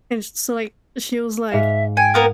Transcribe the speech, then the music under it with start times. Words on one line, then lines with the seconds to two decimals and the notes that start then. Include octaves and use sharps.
and s so, like, she was like
1.52 G#2 E5 F5
1.97 G5 G#5 C#7
2.14 A#3 B3 A#4